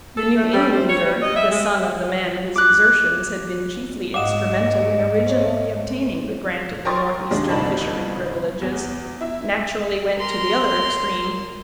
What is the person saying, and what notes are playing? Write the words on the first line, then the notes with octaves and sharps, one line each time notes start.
The New Englander--the son of the man whose exertions had been chiefly instrumental in originally obtaining the grant of the Northeastern fishery privileges--naturally went to the other extreme.
A4
A3
G3
C5
C#5
G3
D#5
E5
G#3
D6 F#6
G#2 D#5 F5 F#5 D6 D#6 E7
C5 C#5
A#4 G5 C6 C#6 D#6 A6
D#2 G#3 D4
G1 C2 D#4 A5 B5
E2
E4 E5
A#4 C6